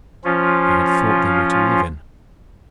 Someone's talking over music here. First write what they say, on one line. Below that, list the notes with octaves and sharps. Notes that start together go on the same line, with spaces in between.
I had thought they were to live in.
F3 C#4 F4